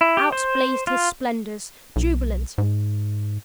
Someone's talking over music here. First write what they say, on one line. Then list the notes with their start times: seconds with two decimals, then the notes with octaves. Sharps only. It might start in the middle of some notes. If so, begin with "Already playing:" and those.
Out blazed his splendors--jubilant.
0.01 E4
0.17 G4
0.32 C5
0.87 F4
1.96 B1
2.58 G#2